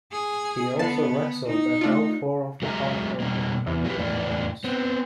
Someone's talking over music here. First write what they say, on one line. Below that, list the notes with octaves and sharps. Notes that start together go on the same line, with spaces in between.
He also wrestled at all four of the Hardcore Homecoming events.
G#4
D3 B3 A5 C7
D#4
A3 D4 F4
F#3 G#3 G#4 E5 A#5
B2 G3 A#3
E2
F3 F#3 A3 A#3 G4 B4
E2 A2 A#3 D4
B3 C4